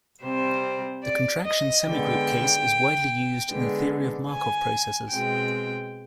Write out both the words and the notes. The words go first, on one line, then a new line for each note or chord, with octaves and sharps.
The contraction semigroup case is widely used in the theory of Markov processes.
C3 G3 C4 C5
D5
D#5
D3 G#3 B3 G5
D3 G#3 B3
G#5
B2 G#3 C4 G5